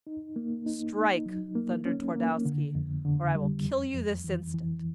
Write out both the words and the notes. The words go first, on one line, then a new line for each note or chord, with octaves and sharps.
"Strike!" thundered Twardowski, "or I will kill you this instant."
D#4
A#3
D#4
D#4
F#3
A#3
C#4
A#3
D3
F2
D3
G3
F2
F2
E3
E3